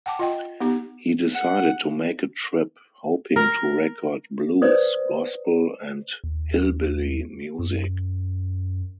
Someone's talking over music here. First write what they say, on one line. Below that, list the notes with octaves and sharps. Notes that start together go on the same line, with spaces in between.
He decided to make a trip, hoping to record blues, gospel and "hillbilly" music.
F#5 G5 A5 D6
F4 D#5 G5
B3 D#4 G4
F#5
A#4
B4 C5 D5 D#6
D#2
F#2